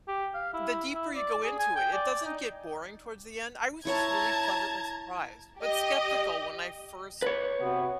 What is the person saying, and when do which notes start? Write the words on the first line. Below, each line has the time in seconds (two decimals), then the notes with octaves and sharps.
the deeper you go into it, it doesn't get boring towards the end, I was just really pleasantly surprised, but skeptical when I first
0.08 G4
0.35 F5
0.54 E4
0.94 E4
1.16 D5
1.44 G#4
1.59 G#5
1.76 G5
1.93 D5
2.26 D#4
3.85 E4 C#5 A5 A#5 G#6
5.60 G4 D#5
7.22 B4 C#5
7.60 C3 B3 F#4